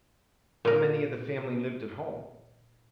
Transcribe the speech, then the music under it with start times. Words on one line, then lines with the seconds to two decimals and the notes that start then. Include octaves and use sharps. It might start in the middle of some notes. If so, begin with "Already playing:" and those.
"How many of the family lived at home?"
0.65 A#2 A#4